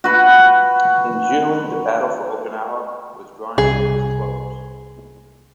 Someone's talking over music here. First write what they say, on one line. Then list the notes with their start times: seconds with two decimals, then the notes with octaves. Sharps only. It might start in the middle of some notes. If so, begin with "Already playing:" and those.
In June, the battle for Okinawa was drawing to its close.
0.04 F#4 B4
3.58 C2 G#4